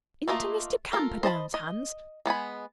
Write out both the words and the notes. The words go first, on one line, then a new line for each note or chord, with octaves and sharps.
"Into Mr. Camperdown's hands!"
A3 A#3 F4 D#5
F4 A4 A#4
C5 D#5 A5 B5
D#5
G#3 B3 G#5 B5